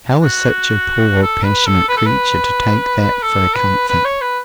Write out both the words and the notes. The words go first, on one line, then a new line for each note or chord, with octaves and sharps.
How was such a poor passionate creature to take that for a comfort?
F#4
A4
B4
A4
B4
A4
B4
A4
B4
B4
C#5
B4